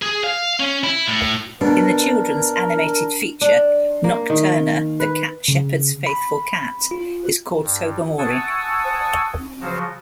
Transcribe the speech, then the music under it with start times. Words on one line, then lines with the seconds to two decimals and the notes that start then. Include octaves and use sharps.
In the children's animated feature, Nocturna, the Cat Shepherd's faithful cat, is called Tobermory.
0.02 G#4
0.24 F5
0.60 C#4
0.84 E4
1.08 A2
1.61 B2 D4 A#4
3.41 D4
4.04 A#3
4.30 D#3
5.00 B4
5.48 C#3
6.07 B5
6.91 F4
7.62 G2
8.18 F#5 G#5 A5 C#6 D#6 E6
9.61 C#3 F3 F#3 F#4